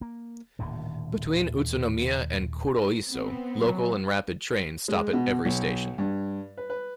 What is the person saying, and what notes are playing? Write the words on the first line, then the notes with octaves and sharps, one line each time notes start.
Between Utsunomiya and Kuroiso, local and rapid trains stop at every station.
A#3
D#1 D#2 A2 D3
B3 C4
F#3
G#3
B2
B1
G2
B4
B4